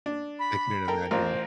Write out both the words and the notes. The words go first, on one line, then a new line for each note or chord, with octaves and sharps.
I couldn't imagine.
D4
B5
A4 A#4 G5
A1 F4 A#4 C5